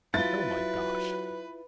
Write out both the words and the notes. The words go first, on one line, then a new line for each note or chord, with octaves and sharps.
"Oh, my gosh!"
F#3 E4 F4 B4 A6